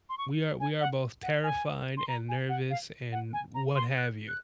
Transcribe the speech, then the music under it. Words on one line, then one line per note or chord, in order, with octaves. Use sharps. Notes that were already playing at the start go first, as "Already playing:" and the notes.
We are we are both terrified and nervous and what have you.
C6
C#6
G#5
F#5
F#5
G#5
C6
A#5
G#5
F#5
F5
F#5
G#5
A#5
C6
F#6
F#6